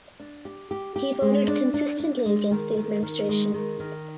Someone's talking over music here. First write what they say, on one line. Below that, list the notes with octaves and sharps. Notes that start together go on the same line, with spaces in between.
He voted consistently against the Administration.
D4
G4
G4
G4
G#3
D4
D4
D4
G#3
D#3
D#3
D#3
G#3
D#3
D#3